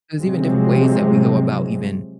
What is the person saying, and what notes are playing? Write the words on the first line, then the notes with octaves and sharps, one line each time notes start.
There's even different ways that we go about even,
C3 F3 F#3 G#3 C4